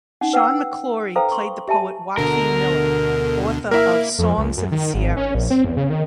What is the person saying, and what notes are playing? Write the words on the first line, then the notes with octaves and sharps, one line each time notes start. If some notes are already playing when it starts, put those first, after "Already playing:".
Sean McClory played the poet Joaquin Miller, author of "Songs of the Sierras".
C#4 D#4 F#5
B4 F#5 G5 E6
A4 B4 C5 F5 G5 A#5
C6 C#6
G4 E5 G#5 A5
D2 B2 D3 A#4
A#3 E4 A#4 E5
F2
C#2
F#2
D#3
G#1
C#4
A#1
C4
E2
C#3
D#3